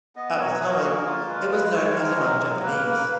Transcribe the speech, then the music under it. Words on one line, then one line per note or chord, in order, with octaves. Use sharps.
At the time, it was known as among Japanese.
B3 D#5
F#3 C#5
B4
F#4
A#4
A#3 G#4
F4 A#4
G#3 B4
G#3 B4
G#3 C#5
G#3 A#4
F#3
F#3
A#3 B4
A#3 B4